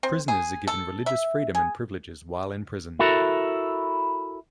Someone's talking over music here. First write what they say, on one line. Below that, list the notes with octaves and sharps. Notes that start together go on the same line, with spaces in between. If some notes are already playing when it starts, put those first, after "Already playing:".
Prisoners are given religious freedom and privileges while in prison.
C4
G#4
A4
E5
G#4
E4 F#4 A4 A#4